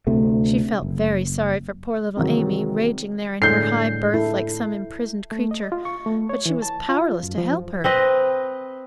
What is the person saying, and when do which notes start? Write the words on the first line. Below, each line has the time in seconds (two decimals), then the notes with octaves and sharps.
She felt very sorry for poor little Amy, raging there in her high berth like some imprisoned creature, but she was powerless to help her.
0.07 D2 C3 A3
0.82 F#1
2.17 C3 D#3 E3 F#3 G#3
3.42 A2 D3 G#3 G6 C7
4.14 E4 A4
5.32 A3
5.51 D#5
5.72 F4
5.85 C#6
6.06 A3
6.29 C#5
6.46 E3
6.62 A5
6.89 F4
7.23 F#2
7.38 F3
7.84 C4 B4 D#5